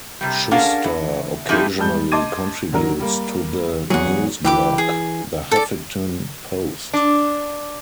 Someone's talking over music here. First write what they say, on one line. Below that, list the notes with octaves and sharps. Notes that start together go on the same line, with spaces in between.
Shuster occasionally contributes to the news blog, "The Huffington Post".
C3 G3
C#4 D4 G#4 A#4 F5 F#5
E3
F3 C4 D#4 E4 G4 G#4
G3 G#3 A5 G6
D#5 A5 C6 D6 G#6 D#7
D3 F#3 A#4
G3 A#3
E2 F#3 G#4 F#5
E3 G4 B4 D6
G#4
A4 D5
D4